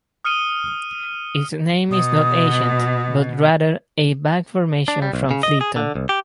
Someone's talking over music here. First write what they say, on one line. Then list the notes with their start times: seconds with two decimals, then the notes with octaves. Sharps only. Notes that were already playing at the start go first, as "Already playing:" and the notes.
Its name is not ancient, but rather a back formation from Flitton.
0.25 D#6 F6 C#7 D#7 G7
1.92 B2 D#6
4.88 D4
5.02 G3
5.13 B1
5.31 C#3
5.43 D#5
5.61 G#4
5.76 D3
5.95 C2
6.09 G4